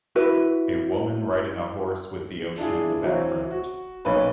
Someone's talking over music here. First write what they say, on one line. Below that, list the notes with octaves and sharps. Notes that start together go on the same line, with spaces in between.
A woman riding a horse with the ocean in the background.
E4 F#4 B4
D4 E4 F4 G#4
E3 F#3 C4
F#4
B1 A#3 C#4 B4 B5